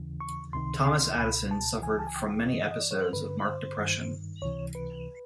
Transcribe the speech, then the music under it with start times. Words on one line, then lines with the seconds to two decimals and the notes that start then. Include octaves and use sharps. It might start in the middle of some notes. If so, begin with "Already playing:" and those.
Thomas Addison suffered from many episodes of marked depression.
Already playing: D#2 C#3 E3
0.20 C#6
0.53 C#2 C3 D#3 C6
0.86 C6
1.18 C#2 B2 B5
1.51 A5
1.82 C#2 C#3 E3 G#5
1.99 A5
2.07 G#5
2.16 G5
2.47 G2 E3 D#5
2.71 D#5
2.80 D5
2.91 C#5
3.01 C5
3.13 G2 D3 B4
3.45 C5
3.78 G2 D#3
4.42 C#2 C3 E3 C#5
4.75 B4